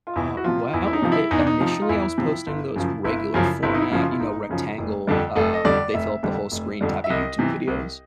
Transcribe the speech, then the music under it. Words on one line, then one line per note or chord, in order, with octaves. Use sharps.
Uh, well, i initially I was posting those regular format, you know, rectangle, um, they fill up the whole screen type of YouTube videos.
F4
E2 E4
F#4
C3 F3 F4
E2 E4
E4
D#4
C3 F3
E4
E2 D#4
D4
D#4
C3 F3
F4
E2 E4
C3 F3
G1
F#2 C#3 F3
G1 E4
F#2 C#3 F3
G1 E4
D#4
E4
F#2 C#3 F3
F4
E4
G1 D#4
F#2 C#3 F3
F1
F2 D3 G3
F1 A4
D#5
F2 D3 G3 D5
F1 E5
F2 D3 G3
F1
F2 D3 G3
E5
C2 D#5
C3 E3
C2